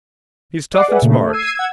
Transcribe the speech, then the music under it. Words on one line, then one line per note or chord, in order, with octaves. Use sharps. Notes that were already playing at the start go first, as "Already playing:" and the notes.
He's tough and smart.
D5 D#5 F#5 D6 C7
G#4 B4 D5 E5 F#5
A#2 C#3 A3
A3
E6 G#6 C7 D#7
F#5 E6 G#6